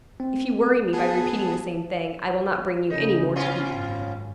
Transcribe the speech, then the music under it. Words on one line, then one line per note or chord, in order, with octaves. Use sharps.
"If you worry me by repeating the same thing, I will not bring you any more to eat."
C4
B3 G#4 A5
C#3 D#4
B2 C#4 F4
G#1 F#2